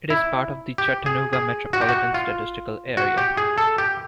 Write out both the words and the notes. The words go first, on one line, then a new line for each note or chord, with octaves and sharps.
It is part of the Chattanooga metropolitan statistical area.
E4
G4
G#4
G#4
F#4
G4
F#4
F4
F#4
G4
G#4
A4
G4